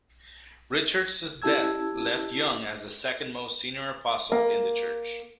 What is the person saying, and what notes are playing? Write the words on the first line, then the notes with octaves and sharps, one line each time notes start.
Richards's death left Young as the second-most senior apostle in the church.
C#4 E4 G4 A5 E6 G#6
A#3